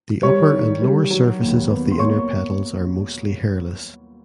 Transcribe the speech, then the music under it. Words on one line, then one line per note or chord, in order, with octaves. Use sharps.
The upper and lower surfaces of the inner petals are mostly hairless.
G3 C#5 C#6
D#3
G3
F#3
D#2
B3
C6
A#3 C#5 C#6